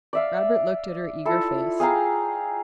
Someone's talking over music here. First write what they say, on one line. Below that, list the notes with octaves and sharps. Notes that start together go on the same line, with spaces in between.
Robert looked at her eager face.
D5 E5 F5
E4 F4 A4
G#4 F5 G5 A#5